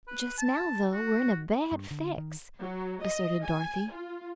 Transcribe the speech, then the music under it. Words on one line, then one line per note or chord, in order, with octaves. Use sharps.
"Just now, though, we're in a bad fix," asserted Dorothy.
B4
A5
F#4
G2
D3
D#3
F#3
D#5
G#5
F4